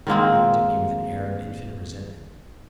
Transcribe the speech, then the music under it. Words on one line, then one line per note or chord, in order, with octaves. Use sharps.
He looked at me with an air of infinite resentment.
D#3 G#3 A#3 C4